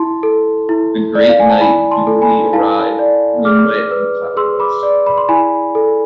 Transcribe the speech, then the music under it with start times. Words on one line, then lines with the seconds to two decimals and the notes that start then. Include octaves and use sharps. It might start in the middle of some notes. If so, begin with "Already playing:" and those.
The great night duly arrived, moonlit and cloudless.
Already playing: E4 A5 C6
0.23 A4
0.69 E4
1.15 D5
1.29 F5
1.40 G#5
1.50 A5
1.61 E4 G#5 B5
1.91 A5 C6
2.07 A4
2.22 G#5 B5
2.53 E4 F5 A5
2.99 D5
3.45 G#4 D6 F6
3.91 B4
4.37 G#4 C6 E6
4.60 B5 D6
4.83 D5
5.06 B5
5.18 C6
5.29 E4 G#5 B5
5.75 A4